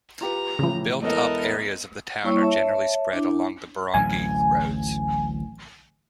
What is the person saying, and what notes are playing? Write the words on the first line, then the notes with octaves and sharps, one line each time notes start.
Built-up areas of the town are generally spread along the barangay roads.
F4 G4 B4 A#5
A2 C#3 E3 F3
E1 B3 E4 A4 A#4 D#5
G3 A#3 E4 C#5 C#6 E6
C#5 E5 A5
D4 E4
D1 A1 F#3 G#5